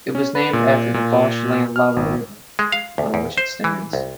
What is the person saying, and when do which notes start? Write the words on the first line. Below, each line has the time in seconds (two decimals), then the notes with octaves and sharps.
It was named after the Bolshaya Laba River on which it stands.
0.15 C#4
0.35 B4
0.53 A#2
0.94 A#2
1.76 F6
1.96 G#1
2.59 G#3
2.72 F5
2.98 D2
3.14 E2
3.38 C5
3.64 E3
3.93 C2